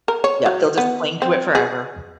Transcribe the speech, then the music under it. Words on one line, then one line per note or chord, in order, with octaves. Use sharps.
Yep, they'll just cling to it forever.
A#4
C#5
F#3
B3
C4
G#4